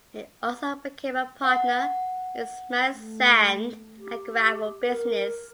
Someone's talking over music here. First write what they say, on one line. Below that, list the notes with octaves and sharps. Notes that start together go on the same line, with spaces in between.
He also became a partner in Smythe's sand and gravel business.
F#5
A3
G4
A#4